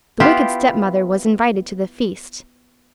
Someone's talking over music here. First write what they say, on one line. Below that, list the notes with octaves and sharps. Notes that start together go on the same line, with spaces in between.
The wicked stepmother was invited to the feast.
B3 E4 F4 G4